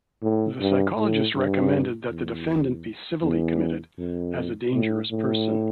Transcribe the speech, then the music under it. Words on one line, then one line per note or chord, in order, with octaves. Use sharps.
The psychologist recommended that the defendant be civilly committed as a dangerous person.
A2
G2
A2
G2
E2
E2
F2
A2
A2